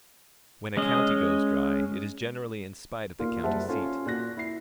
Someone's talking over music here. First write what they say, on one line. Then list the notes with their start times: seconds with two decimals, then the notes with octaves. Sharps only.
When a county goes dry, it is generally in spite of the county-seat.
0.77 G#3 C#4 D#5
3.19 A#2 A#3 F4
3.44 F#1 G3 C5 E5 F#5 A5
3.69 C#4 F4 A4 C#5
4.06 A#2 F#4 F#6 A#6
4.37 E4 C7